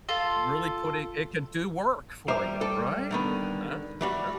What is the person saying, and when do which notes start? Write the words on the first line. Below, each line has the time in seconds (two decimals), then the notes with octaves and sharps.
really putting it can do work for you, right, and that's that's som
0.09 F4 A4
2.28 G3 C5 E5 A#5 D6
2.61 A4
3.11 D3 D#3 B3
4.01 E3 G3 F#4